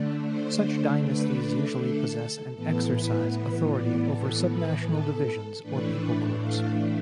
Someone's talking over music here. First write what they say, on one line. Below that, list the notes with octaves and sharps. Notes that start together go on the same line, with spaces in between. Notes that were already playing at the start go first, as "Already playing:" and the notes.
Such dynasties usually possess and exercise authority over subnational divisions or people groups.
Already playing: D3 A3 D4
C5
B4
A4
A2 E3 B3 A4
B4
B4
D5
A4
B4
A4
A2 E3 A3 D4 B4
F5